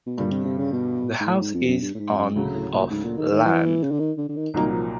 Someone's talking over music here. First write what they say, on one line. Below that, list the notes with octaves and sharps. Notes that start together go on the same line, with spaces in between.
The house is on of land.
B2
G2 A#2 D3 G3
C3
C3
C#3
B2
G#2
A2
G#2
F2
F#2
G2
A2
G#2
F2
F#2
D2 C#3 F#3 A3
A2
A#2
G#2
A#2
D#3
D#3
E3
C#3
D3
D#3
D3
D3
D#3
C2 A#2 D#3 F#3 A#3 D#4
F3